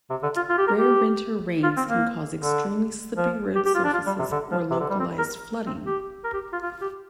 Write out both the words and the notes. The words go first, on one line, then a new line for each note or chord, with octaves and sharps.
Rare winter rains can cause extremely slippery road surfaces or localized flooding.
C3
D3
F4
F4
G4
A#4
G4
F4
C4
A#3
D3
F3
G4
G4
F4
D4
F4
G3
C3
D3
F3
C3
D3
G3
C4
A#4
C4
G4
A#4
G4
F4
F4
G4